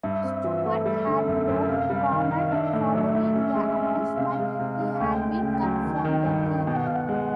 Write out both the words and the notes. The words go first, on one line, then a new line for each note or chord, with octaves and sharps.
Stewart had no comment following the announcement he had been cut from the team.
G2 E5
C4
E3
A3
G3
D3
F#2
F#2
C3 F5
G3
D#3
D#3
D4 E5
A2
F#3
A2
C#4
G#3
C#4
G#3
C3 F5
G#3
C3
G#3
D2 G5
D2
C#3
F#3
D#3
D#3
G2
D#3
B2 G5
F#5
B2 F5
F#5
G#3